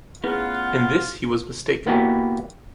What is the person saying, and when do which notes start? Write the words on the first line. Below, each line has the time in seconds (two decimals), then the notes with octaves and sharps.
In this he was mistaken.
0.24 A3 B3 C#4 E4 F4 G#4 B4 F#5
1.87 A#3 B3 E4 F#4 G4